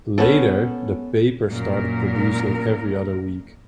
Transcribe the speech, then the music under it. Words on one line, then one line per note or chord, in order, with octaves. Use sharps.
Later, the paper started producing every other week.
B3 C#4 A4
F#2 A#2 A#4